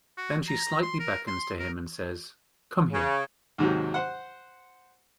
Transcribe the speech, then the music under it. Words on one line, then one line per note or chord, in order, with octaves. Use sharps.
Then she slightly beckons to him and says, "Come here!"
F#4
A#5
C6
A#4
C6
A#4
C#3
D#2 G#2 C3 F#3
C5 F#5